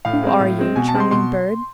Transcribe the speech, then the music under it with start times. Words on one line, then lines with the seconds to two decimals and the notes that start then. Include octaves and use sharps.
"Who are you, charming bird?"
0.05 A2 F5
0.23 G#3 C4
0.40 A2
0.59 G#3 C4
0.76 B2 G#5
0.88 A5
0.94 G#3 C4
1.00 C6
1.11 B2 C6